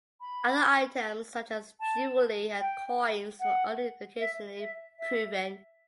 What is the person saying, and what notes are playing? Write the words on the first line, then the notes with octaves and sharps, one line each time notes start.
Other items such as jewelry and coins were only occasionally proven.
B5
A5
G5
F#5
E5
E5
E5